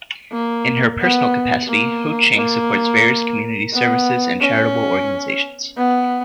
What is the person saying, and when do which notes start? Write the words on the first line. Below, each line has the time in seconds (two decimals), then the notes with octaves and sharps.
In her personal capacity, Ho Ching supports various community service and charitable organisations.
0.32 A#3
1.01 B3
1.68 A#3
2.37 A#3
3.73 B3
4.41 C#4
5.77 B3